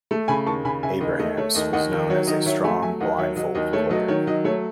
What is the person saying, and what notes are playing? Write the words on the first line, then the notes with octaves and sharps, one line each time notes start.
Abrahams was known as a strong blindfold player.
A3
C#3 G#5 B5
D#2 A5 C#6
C#3 G#5 B5
C#3 E5 G#5
D#2 D#5
A3 D#5
A3 C#5
D#2 D#5
D#2 D#5 F#5
D#3
F#3 C#5
D#3 D#5
F#3 C#5 E5
A3 E5 G#5
F#3 E5 G#5
D#2 D#5 F#5
F#3 C#5 E5
F#3 D#5
D#2 D#5
A3 C#5
F#3 D#5
D#3 C#5
F#3 D#5
A3 C#5